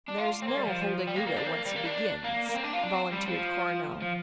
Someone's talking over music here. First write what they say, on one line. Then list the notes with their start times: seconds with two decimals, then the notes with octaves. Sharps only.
"There's no holding Udo once he begins," volunteered Coronel.
0.08 D4
0.18 F4
0.42 C4
0.48 A#3
0.57 G3
0.67 F3
1.07 G3
1.16 A#3
1.27 A#3
1.37 D4
1.47 C4
1.51 A#3
1.66 G3
1.76 A#3
1.85 D4
2.24 A#3
2.49 A#3
2.55 C4
2.64 D4
2.74 F4
2.84 D4
2.94 C4
3.12 G3
3.28 F3
4.02 F3